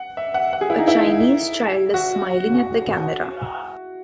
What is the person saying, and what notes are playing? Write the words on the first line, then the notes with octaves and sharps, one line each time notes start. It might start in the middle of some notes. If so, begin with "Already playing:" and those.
A Chinese child is smiling at the camera.
Already playing: F#5
E5
F#5
F#5
G#4
E4
D#4
E4
F#4